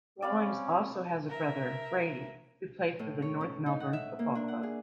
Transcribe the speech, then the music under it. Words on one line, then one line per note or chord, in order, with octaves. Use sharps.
Rawlings also has a brother, Brady, who played for the North Melbourne Football Club.
C4 C#4 D5 F5 B5
A#4 E5
A2
C#5
C#4
D#4
F#5
E5
A#3
D4
F#5
G#4